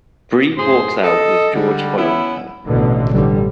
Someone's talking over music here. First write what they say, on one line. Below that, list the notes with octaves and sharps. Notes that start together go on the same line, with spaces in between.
Bree walks out with George following her.
F#2 A2 G#4 C5 C6
A4 D#5
D3 G3
B3 C#4 E4
A1 B2 D3 B3
A1 D3 G3